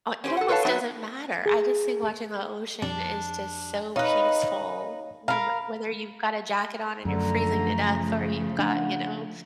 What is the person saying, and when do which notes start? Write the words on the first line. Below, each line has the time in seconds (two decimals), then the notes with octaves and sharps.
uh, it almost doesn't matter, I just think watching the ocean is just so peaceful, no m whether you've got a jacket on and you're freezing to death or you've got, you know,
0.24 C#4 G4 C5
0.37 A4 F#5
0.48 A4 B4 C#5 D5 F5 A5
0.65 F#3 B3 D#4 B4 E5
1.46 G#4
2.82 F2 D4
3.96 D#4 B4 C#5 D#5 F5
5.28 A#4 F5 A#5 B5
7.05 F#2 D3 F3 A3 A#5
7.79 C#3
8.59 D4 F#5